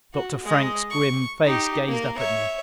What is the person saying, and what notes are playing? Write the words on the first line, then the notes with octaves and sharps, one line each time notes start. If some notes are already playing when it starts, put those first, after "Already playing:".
Dr. Frank's grim face gazed up at me.
F#4
G#3 D#5
C#6
D#4 G4
A#3 A#4
C#5 E5